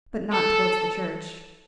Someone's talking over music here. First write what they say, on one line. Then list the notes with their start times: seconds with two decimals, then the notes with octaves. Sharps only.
But not towards the church.
0.32 A4